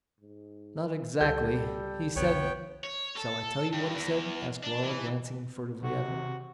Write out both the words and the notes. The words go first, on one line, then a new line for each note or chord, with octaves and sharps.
"Not exactly, he said--shall I tell you what he said?" asked Laura glancing furtively at him.
G#2
C#2 G3 A4 G6
B1 F2 D3 B3 C#5 G5
C#5
A4
G2
E2
D4
E3
C3 F#4